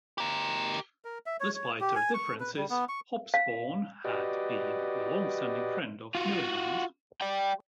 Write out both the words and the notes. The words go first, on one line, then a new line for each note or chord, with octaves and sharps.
Despite their differences, Hobsbawm had been a long-standing friend of Miliband.
G4 A#4
A#4
E5
C#5
C#5
G4
G#5
C#6
B4
G3
B3
C#6
F5
F#4 G4 B4 D5 D#5
F4 F#4
D5 G5